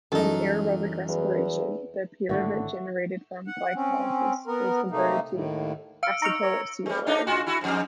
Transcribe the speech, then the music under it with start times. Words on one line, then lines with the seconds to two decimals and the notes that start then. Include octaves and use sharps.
In aerobic respiration, the pyruvate generated from glycolysis is converted to acetyl-CoA.
0.12 F#2 E3 F#3 G3 D#4 A4
1.08 E2
2.29 G#1 A2 D3 E5 F#5 C#6
3.47 F#5
3.75 C4 C#4
4.47 B3 A#4
4.91 C3 A3 A#3 D#4
5.31 D#2 A2
6.03 F5 E6 C#7 D7
6.22 D#4 A#5 C#6 E6 F6
6.41 A#4 C#5
6.86 G3 G#3
7.06 A3 D4 D#4
7.27 A2 F4 F#4
7.47 E4 F#4
7.61 F2 G#2